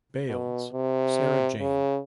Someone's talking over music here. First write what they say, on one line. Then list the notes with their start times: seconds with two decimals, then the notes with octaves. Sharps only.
Bailes, Sara Jane.
0.28 B2
0.72 C3
1.59 C#3